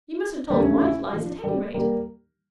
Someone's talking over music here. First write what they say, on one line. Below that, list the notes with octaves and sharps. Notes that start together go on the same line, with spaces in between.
You must have told white lies, at any rate.
G3 A#3
A3 C#4
A3 C#4
C#4 E4
F3
G3
G3 A#3